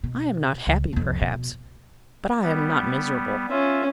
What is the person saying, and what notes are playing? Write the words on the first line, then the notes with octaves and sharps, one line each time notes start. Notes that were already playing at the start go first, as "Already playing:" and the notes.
I am not happy, perhaps; but I am not miserable.
B2
C#2
C2 F2
B2
G3 B3
C#4 F4 E5